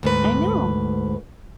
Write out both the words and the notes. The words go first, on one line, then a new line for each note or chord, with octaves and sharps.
I know.
D2 G#2 B4